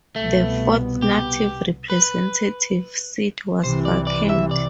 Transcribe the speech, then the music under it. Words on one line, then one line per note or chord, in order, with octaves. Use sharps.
The fourth Native Representative seat was vacant.
C2 B2 A3 B3
G4
B4
C2 C3 E3 C5
D5
D5
E5
D5